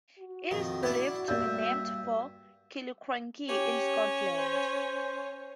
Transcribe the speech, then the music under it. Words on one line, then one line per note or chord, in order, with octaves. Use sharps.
It is believed to be named for Killiecrankie in Scotland.
F#4
F2 D#3
D4 E4 D5
G2 A#3 D5 E5 G6
C#4 G4
C5